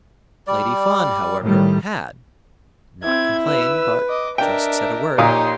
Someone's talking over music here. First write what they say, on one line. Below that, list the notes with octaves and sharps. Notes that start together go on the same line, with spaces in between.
Lady Fawn, however, had--not complained, but just said a word.
G3 D5
A2 D#3 G3
C4 E4 G#6
B4 E6
D#5 D6
D4 A#4 D#5 E5 G5
A#2 D#4 G4 C#5 F5 C6 D#6